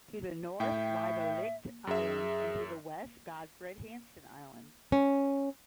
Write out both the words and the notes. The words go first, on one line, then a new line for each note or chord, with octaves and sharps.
To the north lie the Licht Islands and to the west Godfred Hansen Island.
A2 E5 G5
F#2 G#4 E5
C#4